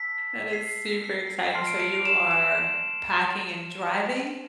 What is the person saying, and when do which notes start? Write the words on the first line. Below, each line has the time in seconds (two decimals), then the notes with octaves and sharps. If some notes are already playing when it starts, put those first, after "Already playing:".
That is super exciting, so you are packing and driving?
Already playing: A5 E6 B6
0.53 C7
1.04 C7
1.54 A5 C6 F6 C7
1.67 D7
1.80 D7
1.93 F7
2.05 E7
2.31 E7